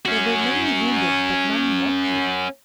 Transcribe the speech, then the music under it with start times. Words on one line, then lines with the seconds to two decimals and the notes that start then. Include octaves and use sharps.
There were many wounded, but none mortally.
0.06 C#4 F#4